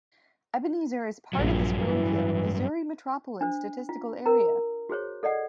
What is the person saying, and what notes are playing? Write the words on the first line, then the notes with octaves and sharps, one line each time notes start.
Ebenezer is part of the Springfield, Missouri Metropolitan Statistical Area.
A#1 G2 F#3
E3
D4 C5
F4
A#4 A#5
F#4 G#4 C5 C#5
A4 D5 D#5 F#5